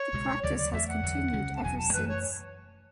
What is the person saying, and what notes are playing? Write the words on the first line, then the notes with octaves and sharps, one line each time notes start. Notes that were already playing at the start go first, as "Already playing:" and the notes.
The practice has continued ever since.
Already playing: C#5
C#2 B2 G#3
D2 C#3 F#3 D5
D5
E2 D3 A3 E5
F#5
E2 D3 F#3
C#2 C#3 G#3 C#4
A5
E1 E2 B2 F#3 G#5
A5
F#2 E3 A3 B4
C#5